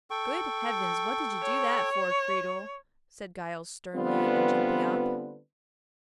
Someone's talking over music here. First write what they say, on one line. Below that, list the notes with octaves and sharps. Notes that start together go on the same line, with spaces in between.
"Good heavens! what did you do that for, Creedle?" said Giles, sternly, and jumping up.
A4 G5 C#6
C#5
D3 G3 B3 C4 F4 B4